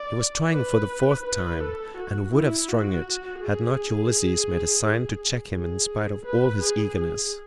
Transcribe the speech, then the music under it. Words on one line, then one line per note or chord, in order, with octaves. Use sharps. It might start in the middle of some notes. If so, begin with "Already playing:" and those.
He was trying for the fourth time, and would have strung it had not Ulysses made a sign to check him in spite of all his eagerness.
Already playing: D5
B4
B4
A4
F#4
E4
F#4
G#4
G#4
B4
G#4
G#4